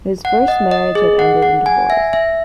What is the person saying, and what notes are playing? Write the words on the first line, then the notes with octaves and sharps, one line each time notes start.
His first marriage had ended in divorce.
F#5
D#5
D#5
G#4
F#5
F#5
G#5
E5
E5